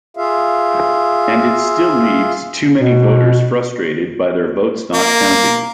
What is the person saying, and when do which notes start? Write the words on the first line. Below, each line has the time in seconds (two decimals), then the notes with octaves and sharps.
And it still leaves too many voters frustrated by their votes not counting.
0.17 F4 G#4 E5 F5
2.81 B2
4.94 A#3